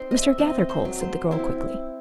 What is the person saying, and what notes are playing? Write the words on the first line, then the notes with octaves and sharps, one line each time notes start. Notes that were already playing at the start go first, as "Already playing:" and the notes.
"Mr. Gathercole," said the girl quickly.
Already playing: C4 D#4 C5
D#5 E5
C4 D#5
C5
F#3
C5
C4 E4